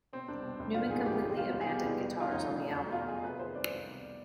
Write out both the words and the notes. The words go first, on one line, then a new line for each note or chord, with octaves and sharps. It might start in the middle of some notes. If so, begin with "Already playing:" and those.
Numan completely abandoned guitars on the album.
B2 C4
C2 D4
B2
C2
G#2 F4
D#3 G#4
G#1 G4
G#1
B2 F4
C2
G#4
B2 G4
C2
F2
D#3
F4
F1 D#4
F1
B2
B1
B2 F4
B1 G#4
G#4
C3 B4
D#3 C5
C2 D5
C2
B2